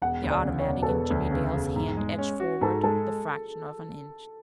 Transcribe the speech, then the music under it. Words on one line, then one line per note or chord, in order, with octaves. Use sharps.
The automatic in Jimmie Dale's hand edged forward the fraction of an inch.
E1 F#5
D2
D5
C#3
C#5
E1
A4
E1 B4
D2
C#3
E1
G#2
G#3
C#4
F#4
G#2 A4
G#3 A4